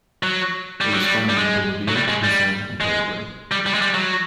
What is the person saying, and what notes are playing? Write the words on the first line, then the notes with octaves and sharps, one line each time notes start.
It is found in Bolivia, Brazil, and Paraguay.
F#3
G3
F#3
G3
G3
G#3
F#3
G3
G#3
G3
G#3
G3
G3
G#3
G3
F#3